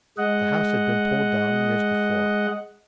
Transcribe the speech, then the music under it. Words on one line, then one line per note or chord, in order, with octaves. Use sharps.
The house had been pulled down years before.
G#3 D#5 F#5